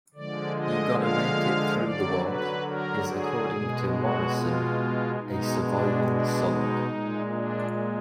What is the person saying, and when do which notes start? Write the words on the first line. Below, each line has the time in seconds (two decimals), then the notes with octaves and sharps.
"You Gotta Make It Through the World" is according to Morrison, "a survival song".
0.14 D3 F3 G#3 D5
0.57 D#5
0.99 F5
1.83 D3 F#3 D5
2.26 B4
2.67 A#4
3.09 G#4
3.51 B2 G#3
3.94 F#4
4.35 F4
5.19 B2 G#3 D#4
5.62 D4
6.04 D4
6.46 D#4
6.88 A#2 G#3
7.30 D4